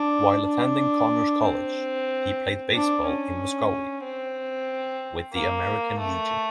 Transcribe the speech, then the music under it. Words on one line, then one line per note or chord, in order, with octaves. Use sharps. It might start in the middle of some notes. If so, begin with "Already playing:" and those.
While attending Connors College, he played baseball in Muskogee with the American Legion.
Already playing: D4
D4
C4
D4
C#4
C4
A#3
A3